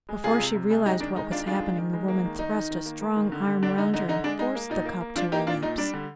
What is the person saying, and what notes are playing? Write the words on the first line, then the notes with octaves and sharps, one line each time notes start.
Before she realised what was happening the woman thrust a strong arm round her and forced the cup to her lips.
G#3
C3 F4 G#4
C3
C3
G#3
G#3 D#4 G4
D#3 D4
G#3 D#4
D#3 D4 F4
G#3 D4 F4
G#3
D#3
G#3
A#3
D#3
D#3 D#4
D#3
D#3
A#3
A#3
D#3
D3
D3
D3 D4
D3 D#4
D3 D#4
D3 D#4
G#3 D4
G#3 D#4
A#3
A#2 D#4
A#3
A#3
F3 D4 F4
A#3 D#4 G4
A#2 D4 F4
A#2 D#4
G3 D4
D3